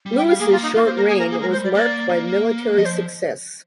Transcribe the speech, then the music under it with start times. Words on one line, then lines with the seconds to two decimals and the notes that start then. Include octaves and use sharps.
Louis's short reign was marked by military success.
0.06 G3
0.17 G5
0.29 F5
0.39 A#3 G#4
0.52 F4
0.62 D#4
0.74 A#3 F4
0.86 C5
0.96 A#4
1.08 G#4
1.19 A#4
1.31 G#4
1.41 G#3 A#4
1.52 C5
1.58 G3
1.64 D5
1.75 A#3 D5
2.09 A#3
2.77 F3 D#5
2.85 C5